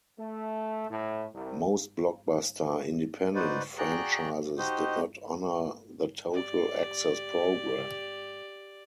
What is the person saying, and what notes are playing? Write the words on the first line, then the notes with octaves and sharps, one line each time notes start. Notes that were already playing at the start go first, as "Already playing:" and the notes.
Most Blockbuster independent franchises did not honor the Total Access program.
A3
A2
C2
D#4 F#4 B4 C5 D5
F#4 G#4 D5 G5 A#5 F#6
D#4 F#4 G4 C5 D#5
G4 D5